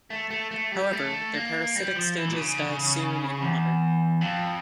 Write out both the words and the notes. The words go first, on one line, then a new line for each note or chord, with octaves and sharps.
However, their parasitic stages die soon in water.
A3
A3
A3
G3
A3
A#3
G3
F3
E3
A#2
C#3
E2
F2